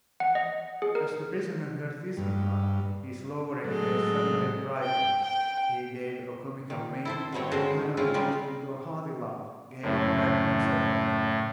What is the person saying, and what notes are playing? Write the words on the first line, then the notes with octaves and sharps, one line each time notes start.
As the prisoner heard this remark, his lowering face suddenly brightened, he gave a comical wink, and finally burst into a hearty laugh, gay, frank, and sonorous.
F#5
D#5
G#4
A#4
G2
A2 F#3 G#3 A4
G5
G5
D#3
E4 A4 C5
B2 D3 G3 C4 C#5
A2 D3 G#3 C#4 F#4 C5
G#3 C4 C#4 E4 F4
G3 G#3 D#4 F4 G4
F#1 A2 C#4